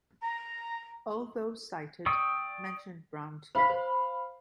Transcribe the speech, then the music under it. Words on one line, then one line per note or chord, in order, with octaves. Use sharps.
All those cited mention Brown too.
A#5
D5 G5 C#6 D#6 E6
C5 F5 B5 B6
C5